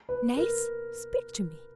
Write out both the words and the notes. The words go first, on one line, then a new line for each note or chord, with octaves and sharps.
Nace! speak to me!
B4
A#4